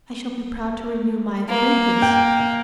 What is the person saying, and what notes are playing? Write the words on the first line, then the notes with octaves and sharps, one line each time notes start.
"I shall be proud to renew my acquaintance."
A#3
G5